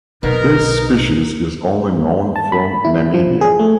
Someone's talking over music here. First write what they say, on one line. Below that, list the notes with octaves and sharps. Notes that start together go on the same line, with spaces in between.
This species is only known from Namibia.
B1 B2 D#4 A#4
A5
B5
E4
F3
G#4
A3